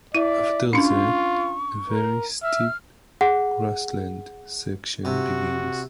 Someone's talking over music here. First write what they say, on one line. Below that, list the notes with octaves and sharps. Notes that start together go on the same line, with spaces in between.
After that, a very steep grassland section begins.
E4 D5 E5
C#4 D4 F4 C#6
A#4
E5 F6
G#4 F#5
C3 F#4